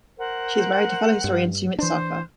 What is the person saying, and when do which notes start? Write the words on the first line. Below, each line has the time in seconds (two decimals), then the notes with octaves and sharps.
She is married to fellow historian, Sumit Sarkar.
0.17 A#4 C5 F#5
1.24 G2
1.79 E3 D4 C5